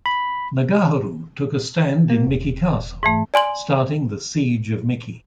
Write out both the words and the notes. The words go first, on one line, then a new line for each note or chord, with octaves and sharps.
Nagaharu took a stand in Miki Castle, starting the Siege of Miki.
B5
A#3
E1
G#2 E3 A3
D5 G#5 C6 F#7